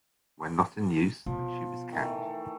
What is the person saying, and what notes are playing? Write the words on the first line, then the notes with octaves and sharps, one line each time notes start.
When not in use, the tube is capped.
B2 F3
D#3 E3 A3